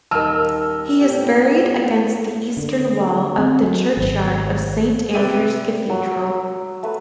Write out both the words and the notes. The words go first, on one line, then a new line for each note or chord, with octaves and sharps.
He is buried against the eastern wall of the churchyard of Saint Andrew's Cathedral.
D#1 D#4 A#4 A5 E6 F6
A2 G3 B3 G4
D3
C4
F#3
G#1
C3 B4 D5 E5 G5 D#7
F#3 E6
A3 B4